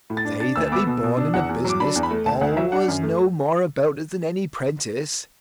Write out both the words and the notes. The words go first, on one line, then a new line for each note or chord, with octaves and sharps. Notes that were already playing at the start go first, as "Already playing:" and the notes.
They that be born in a business always know more about it than any 'prentice.
A2
A6
D4
D4 A6
D2 E6
B3 D6
B2
B2
D4
E2 F#5
E2
F#3 D6
D4 B5
E2
B5
A3
D2 A5
D2 F#5
F#3 E5
D4 F#5
F#2
A3